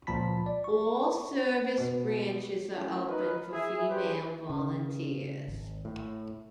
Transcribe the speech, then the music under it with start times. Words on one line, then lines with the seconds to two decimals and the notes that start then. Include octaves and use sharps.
All service branches are open for female volunteers.
0.07 C#2 A#2 F3 A5 B5 B6
0.46 D5
0.64 C#6
1.78 B2
2.75 F#2 A2
3.07 D#4 A#4 B4
3.52 E4 G#4 E5
3.89 D4 G4 G#4 B4 C5
4.50 C#3
5.48 G#1
5.85 A2